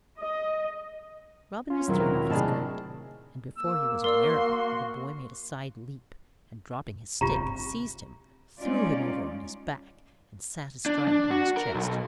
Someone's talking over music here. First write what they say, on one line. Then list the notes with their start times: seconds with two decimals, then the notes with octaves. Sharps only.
Robin was thrown off his guard, and before he was aware of it the boy made a side leap and, dropping his stick, seized him, threw him over on his back, and sat astride upon his chest.
0.19 D#5
1.70 C#4 F4
1.88 E1 D#3 F#3 C4 E4 A#4
2.30 A2 C3 D4 G#4 D#5 A5 B5
3.57 A#3 E6
4.04 F#4 A#4 D5 C6 E6
7.21 D1 G1 C3 F4 G4 A#5
8.60 G3 G#3 C#4 D#4 F4 D5
10.86 D4
11.08 D4
11.30 F#4
11.57 A#4
11.74 B1